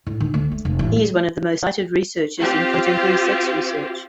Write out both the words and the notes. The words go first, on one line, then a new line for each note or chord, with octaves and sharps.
He is one of the most cited researchers in contemporary sex research.
A2
D#3
D2
A3
F1
A1
G3
C4 F4 G4